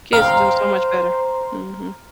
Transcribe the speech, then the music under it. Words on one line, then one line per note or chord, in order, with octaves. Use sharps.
Kids do so much better. Mhm.
C5 F5 G5 A#5 F6